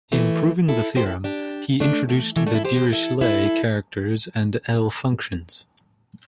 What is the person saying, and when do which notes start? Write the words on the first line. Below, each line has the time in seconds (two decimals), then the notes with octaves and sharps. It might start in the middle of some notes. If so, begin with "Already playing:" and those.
In proving the theorem, he introduced the Dirichlet characters and L-functions.
0.12 E3 A3
0.68 E4 A4
0.96 G4 C5
1.06 E4 A4
1.24 D4 G4
1.80 A3 D4
2.09 E3 A3
2.36 E3 A3
2.47 A3 D4
2.55 E4 A4
2.65 G4 C5
2.93 E4 A4
3.21 E4 A4